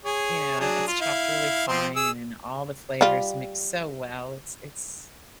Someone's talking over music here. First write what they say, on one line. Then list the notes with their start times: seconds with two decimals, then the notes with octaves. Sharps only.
you know, uh, it's chopped really fine and all the flavors mix so well, it's it's
0.05 G#4 C#5
0.60 F#3 D4 G#4
0.87 F4
1.01 E4 F5
1.68 F3 C4 C6
1.96 G#4 E6
3.01 G3 F4